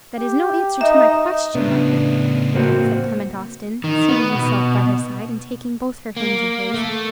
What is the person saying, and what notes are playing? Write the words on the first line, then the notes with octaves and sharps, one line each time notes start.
"That is no answer to my question, Margaret," said Clement Austin, seating himself by her side, and taking both her hands in his.
G4
D#4 D#5 E5
A2 C#3 B3 D4
A#3 C4 F#4
D#3
B3
B2
A#3
A3